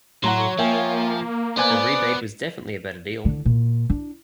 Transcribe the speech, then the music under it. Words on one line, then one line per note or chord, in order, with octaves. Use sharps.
The rebate was definitely a better deal.
A2 F#3 C#5 F#5 A#5 C6
F3 A#3 E5 G5 G#5
B3 C5 D5 G#5 F#6
D3
A#2
D4